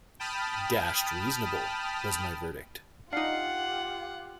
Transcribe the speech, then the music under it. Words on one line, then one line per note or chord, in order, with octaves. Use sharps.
Dashed reasonable, was my verdict.
G5 A5 B5 D#6 F6
D4 D#4 F4 G4 F5 F#5 F6 C7